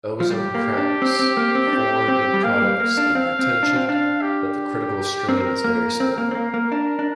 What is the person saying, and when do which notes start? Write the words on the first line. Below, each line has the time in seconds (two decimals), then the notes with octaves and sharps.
Ozone cracks form in products under tension, but the critical strain is very small.
0.20 F3
0.30 G3 G4
0.55 A#3
0.78 D4
1.02 C4
1.19 C4
1.37 A#3
1.55 C4
1.67 D4
1.73 C4
2.08 C4
2.34 G3
2.44 A#3 F5
2.55 A#3
2.62 G3
2.80 A#3
2.97 D4
3.15 C4 F5
3.39 C4
3.63 D4
3.76 C4
3.86 D4 F5
4.22 G4
5.28 C4 A#4
5.64 A#3
6.00 C4 A#4
6.18 A#3
6.31 C4
6.35 A#3
6.54 A#3
6.72 D4
6.99 D4